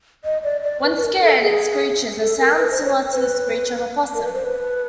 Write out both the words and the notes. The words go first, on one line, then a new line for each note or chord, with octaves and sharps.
When scared, it screeches - a sound similar to the screech of a possum.
D#5
D5
D5
B4
B4
A#4
A4
G#4
A4
A#4
B4
C5
C#5
C5
B4
A#4
B4
C5
B4